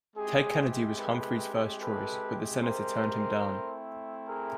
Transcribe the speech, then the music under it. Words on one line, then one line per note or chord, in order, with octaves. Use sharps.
Ted Kennedy was Humphrey's first choice, but the senator turned him down.
G#3 C4 E4 G4 G#4
A4 B4
A4 B4
A#4 C5
A3 C4 E4
G#4 A#4